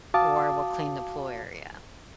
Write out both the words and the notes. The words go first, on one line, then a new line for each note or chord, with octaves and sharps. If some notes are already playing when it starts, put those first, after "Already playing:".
or we'll clean the pool area.
F#4 F5 A5 D6 D#6